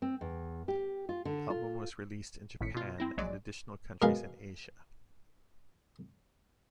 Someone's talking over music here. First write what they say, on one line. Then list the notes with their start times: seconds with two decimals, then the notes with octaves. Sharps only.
The album was released in Japan and additional countries in Asia.
0.02 C4
0.21 E2
0.68 G4
1.09 F4
1.25 D3
1.50 F4
2.61 G#1 A2 B6 C#7
2.75 B2 F4
2.98 C4 E4 A#6
3.17 A#1 F#3 G#3 D5
4.02 B2 G#3 A#4 F5